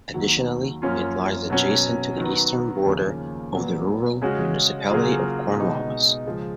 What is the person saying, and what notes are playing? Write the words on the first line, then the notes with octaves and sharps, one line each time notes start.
Additionally, it lies adjacent to the eastern border of the Rural Municipality of Cornwallis.
D#2 D#3 F#3
F#2 F3 A#3 C#4 F4
B2 F#3 C#4
D#3 F#3 B3
D#2 C#3 F3 A#3 C#4
A#2 F#3 B3
C#3 G#3 C#4 F#4
C#3 F#3 A#3 F4 G#4
B2 G#3 D#4
C#2 C#3 F3 G#3